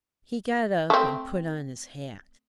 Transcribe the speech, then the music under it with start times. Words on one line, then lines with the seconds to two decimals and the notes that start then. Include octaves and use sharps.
He got up and put on his hat.
0.90 A3 C4